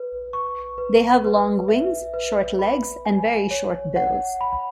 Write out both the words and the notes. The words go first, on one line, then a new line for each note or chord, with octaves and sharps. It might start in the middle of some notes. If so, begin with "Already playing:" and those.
They have long wings, short legs, and very short bills.
Already playing: B4
C#6
B4
B4
E5
B4
B5
G#5
C#5
F#5
B5